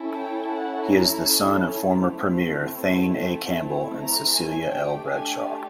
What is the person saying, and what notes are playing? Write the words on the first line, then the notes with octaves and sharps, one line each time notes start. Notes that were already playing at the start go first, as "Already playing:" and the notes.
He is the son of former premier Thane A. Campbell and Cecilia L. Bradshaw.
Already playing: C#4 E4 A4
G5
F#5
A#5
A3 C4 E4
A#5
G#5
A3 D4 G4 G5
G#5